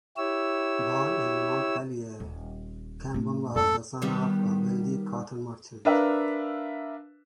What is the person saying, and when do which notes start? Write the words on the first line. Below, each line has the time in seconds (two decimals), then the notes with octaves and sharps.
Born in Montpellier, Cambon was the son of a wealthy cotton merchant.
0.17 E4 G4 C#5 E6
2.20 D#1
3.14 A2 D4
3.56 F2 G#2 A4
4.02 D#3 G3 B3
5.85 D4 A#4 B4 E5 F5